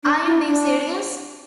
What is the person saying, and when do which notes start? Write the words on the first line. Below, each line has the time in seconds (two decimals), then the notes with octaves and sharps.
Are you being serious?
0.04 D4
0.26 E4
0.48 D4